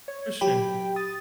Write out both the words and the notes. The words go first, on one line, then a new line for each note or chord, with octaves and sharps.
For sure.
C#5
F#3 G4 G5 B5
D#6 A6